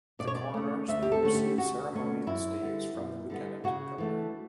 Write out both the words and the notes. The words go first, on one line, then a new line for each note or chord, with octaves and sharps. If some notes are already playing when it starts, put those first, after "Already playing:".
The Coroners then receive ceremonial staves from the Lieutenant Governor.
B2 D5
C#5
D5
A3 C#4
D2 E5
G4
A4
D3 A3 C#4
G4
D2 F#4
D3 A3 C#4
F#2 E4
D3 G3 B3
F#2
D3 G3 B3
C#3 F#4
E3 A3 D4